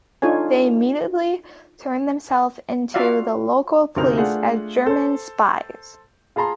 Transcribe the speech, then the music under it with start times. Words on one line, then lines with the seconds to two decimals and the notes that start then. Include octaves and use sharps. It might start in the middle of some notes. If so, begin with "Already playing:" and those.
They immediately turned themselves in to the local police as German spies.
0.22 D4 D#4 F4 A4 C#5 G#5
2.94 F4 F#4 D5 E5 F5
3.96 D2 C3 D#4 A#4 C5 F7
4.17 A3 D4 F4 G#4 F#5
4.86 A4 C5
6.36 F4 G#4 A5 A#5 C6